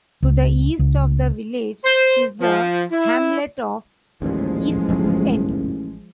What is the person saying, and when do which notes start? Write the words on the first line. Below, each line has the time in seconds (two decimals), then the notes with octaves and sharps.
To the east of the village is the hamlet of East End.
0.22 C#2
0.79 C#2
1.84 C5
2.41 F3
2.92 E4
4.22 A1 D#2 A#2 F3 G#3
4.89 F#1 B1 G2